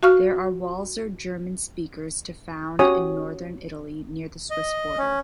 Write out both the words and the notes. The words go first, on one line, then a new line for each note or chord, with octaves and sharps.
There are Walser German speakers to found in northern Italy near the Swiss border.
F#4 F5 C#6 F6
C#4 F#4 G4 C#5 G#5 D#6
D#5
C#4